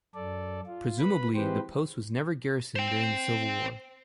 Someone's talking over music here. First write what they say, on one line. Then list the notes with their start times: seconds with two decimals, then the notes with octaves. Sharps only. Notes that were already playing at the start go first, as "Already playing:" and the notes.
Presumably the post was never garrisoned during the Civil War.
0.15 F#2 A4 D5
0.66 F4
0.99 B4 B5
1.35 E3 G#3 C4 G4 B4 C5
2.76 C5 G5